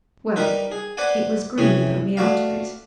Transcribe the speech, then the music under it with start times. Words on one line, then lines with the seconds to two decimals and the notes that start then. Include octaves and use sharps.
Well;--it was Green put me up to it.
0.36 G3 D#4 A#4 B4
0.72 G#4
0.97 B4 C5 D5 F#5 G#5
1.58 C3 E3 C#4 G#4
2.17 A3 F#4 D5 F5